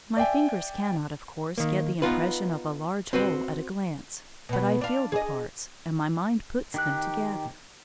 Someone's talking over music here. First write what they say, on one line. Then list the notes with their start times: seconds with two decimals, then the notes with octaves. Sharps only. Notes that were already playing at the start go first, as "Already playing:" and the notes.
My fingers cannot, of course, get the impression of a large whole at a glance; but I feel the parts, and my mind puts them together.
0.17 D5 E5 G5 G#5
1.58 D#3 A#3
2.02 B3 D#4 F4 B4
3.13 C4 F#4 B4 C5
4.49 B2 B3
4.81 D4 F5
5.12 G#4 D#5
6.74 D#3 G4 F#6